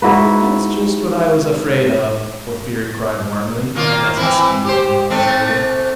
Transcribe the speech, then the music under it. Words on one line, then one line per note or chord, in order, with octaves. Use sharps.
"That's just what I was afraid of!" Porfiry cried warmly and, as it seemed, involuntarily.
G#2 E4 F#4 B4
D#3 A#3 F4
E3 C4 E4
G4 C5
G#2 A3 C4